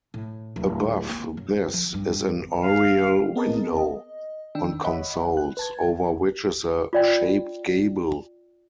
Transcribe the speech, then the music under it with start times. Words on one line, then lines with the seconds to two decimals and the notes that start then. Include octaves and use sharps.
Above this is an oriel window on consoles over which is a shaped gable.
0.14 A2
0.56 D1
1.10 A#3
1.37 F#2
1.74 F3
1.94 G2
2.64 F5
3.36 B3 C4 G#4 A#4 D#5 A5
3.78 D#5
4.55 D#3 D4 G5 E6
4.84 C#5 D#5 E5 F#5 B5
5.37 F#6
5.57 B4 A5 G#6
6.93 F4 D5 G5